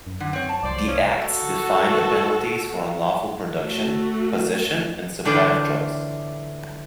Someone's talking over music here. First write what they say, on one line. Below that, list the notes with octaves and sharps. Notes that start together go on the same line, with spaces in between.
The acts define the penalties for unlawful production, possession and supply of drugs.
F#2
D3
C4 C#5
A5
C2 C5 D5
F3 C#4
F#4 A4
A3 F#4
A2 D3 E3 D4 F4 G5